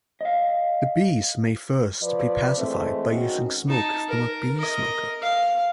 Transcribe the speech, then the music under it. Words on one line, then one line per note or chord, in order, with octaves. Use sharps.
The bees may first be pacified by using smoke from a bee smoker.
D#5 F5
F3 B4 D5
E3 G#3 A3 C4
G#2 D#3 G#3 C#4 D#4 F#4
D#4 A5
A#4
A#4 D#5
F5